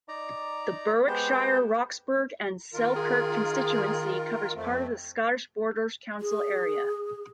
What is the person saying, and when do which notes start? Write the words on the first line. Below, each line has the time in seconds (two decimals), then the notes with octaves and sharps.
The Berwickshire, Roxburgh and Selkirk constituency covers part of the Scottish Borders council area.
0.08 D#4 D5 A#5
1.07 G#3 B3 G4 C5
2.74 D#3 F4 A#4
2.96 G#4
4.55 F2 A3 C4
6.21 G#4